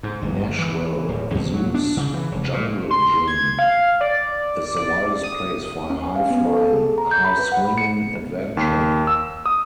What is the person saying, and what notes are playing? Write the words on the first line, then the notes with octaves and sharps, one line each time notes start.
Nashville Zoo's Jungle Gym is the wildest place for a high-flying, high-swinging adventure!
G#2
G1
E3
D1
E2
F#3
D4
C#3
E3
F1
A#2
C6
G#6
F5
D5
D5
D#6
C#4
G#5
F5
B3
A4
A4
G#4
A#5
G6
B5
B4
F#5
C#7
D#2
E6
D#6